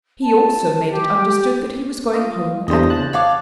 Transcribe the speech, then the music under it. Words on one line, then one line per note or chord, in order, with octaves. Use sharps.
He also made it understood that he was going home at once.
A5
G4
F4 D#5
E2 D3 G3 C5 D#5
A5 F#6
C#5 F5 D6